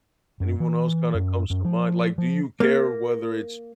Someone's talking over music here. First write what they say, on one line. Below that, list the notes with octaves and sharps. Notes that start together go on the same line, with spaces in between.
Anyone else kinda comes to mind? Like, do you care whether it's
F#2
E3
F#2
F#2
F3
F3
A#3